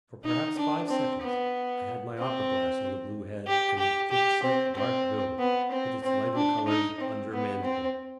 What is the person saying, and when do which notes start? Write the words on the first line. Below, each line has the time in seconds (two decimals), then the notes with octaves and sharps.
For perhaps five seconds I had my opera-glass on the blue head and the thick-set, dark bill, with its lighter-colored under mandible.
0.25 D#4
0.58 D4
0.90 C4
1.22 B3
2.18 C4
3.47 G4
3.78 G4
4.11 G4
4.43 C4
4.75 C4
5.39 B3
5.71 C4
6.04 C4
6.35 D4
6.68 D#4
7.00 C4
7.32 B3
7.63 C4